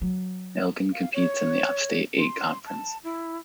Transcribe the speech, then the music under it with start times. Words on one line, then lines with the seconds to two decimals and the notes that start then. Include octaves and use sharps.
Elgin competes in the Upstate Eight Conference.
0.01 F#3
0.93 F5
1.13 C#5
2.19 C6
2.66 A5
3.04 E4